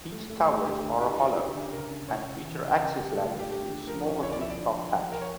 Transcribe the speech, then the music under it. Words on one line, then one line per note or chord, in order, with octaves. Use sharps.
These towers are hollow, and feature access ladders to a small roof top hatch.
A3
A3
A3
D3 G4
D3
E4 G4
D3 F4
C#4 G4
D3 G4
C#3 A#4
D4
C#3 C#5
C#3
E3
C#3
C#3 A#4
G3 G4
A3 A4
F4
D3
G4
A3 G4
D3
F3 A#4
C#4
E4 C#5
D5
F3 E5
D5
D3
F3
F3
F3 A#4
C#5